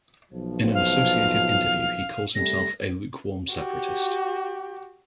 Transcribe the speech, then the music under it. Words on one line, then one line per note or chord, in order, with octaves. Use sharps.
In an associated interview, he calls himself a "lukewarm separatist".
B1 F3
F5
C2 G3 A3 A#6
F#4 G4